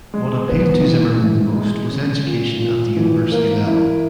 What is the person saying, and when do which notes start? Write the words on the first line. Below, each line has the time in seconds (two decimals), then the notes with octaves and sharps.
What appealed to Zimmerman the most was education at the university level.
0.14 G#3
0.49 B3
0.85 E3
1.20 E3
1.55 G#3
1.90 C#4
2.26 A#2
2.61 A#2
2.97 E3
3.32 A#3
3.67 E4